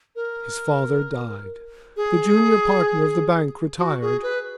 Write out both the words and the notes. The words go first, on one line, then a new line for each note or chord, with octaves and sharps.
His father died; the junior partner of the bank retired.
A#4
G#4
F#4
G#4
B4